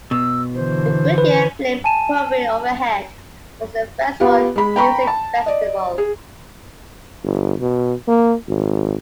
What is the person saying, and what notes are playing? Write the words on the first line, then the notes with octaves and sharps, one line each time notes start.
The Goodyear blimp hovering overhead was a first for a music festival.
B2 E6
D3 E3 C5
B4
G#5 A5 D#7 E7
B3 F4 G4
G#3 B5
G5 A#5 B5 C#6
A5
D5 D#5
G#4
G1
B2
A#3
G#1